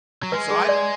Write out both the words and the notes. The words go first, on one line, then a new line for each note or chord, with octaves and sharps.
So, I don't
F#3
G#3 B4
G#4
D5